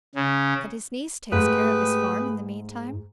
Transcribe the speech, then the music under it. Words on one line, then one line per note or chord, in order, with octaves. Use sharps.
"And his niece takes care of his farm in the meantime?"
C#3
G#2 A3 G4 G#4 B4